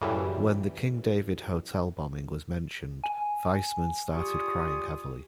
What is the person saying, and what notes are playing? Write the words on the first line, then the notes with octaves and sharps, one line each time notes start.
When the King David Hotel bombing was mentioned, Weizmann started crying heavily.
F#2 A2 C#3 E3 G3
G#5
G3 F4 G4 G#4 C#6 D#6